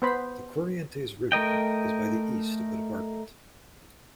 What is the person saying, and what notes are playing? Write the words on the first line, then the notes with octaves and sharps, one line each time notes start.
The Corrientes River is by the east of the department.
B3 C5 B5
A3 A#4 D#5 G5